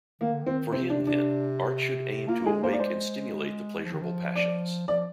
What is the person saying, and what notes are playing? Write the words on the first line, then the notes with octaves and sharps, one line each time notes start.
For him, then, art should aim to awake and stimulate the pleasurable passions.
D#3 A#3
D3
D#3 C4
C3 C4
D4
D4
A#3 F4
G#3 G#4
A#3 C5
D5
G#3 C5
F3
D#3
F3
D5
F3 D5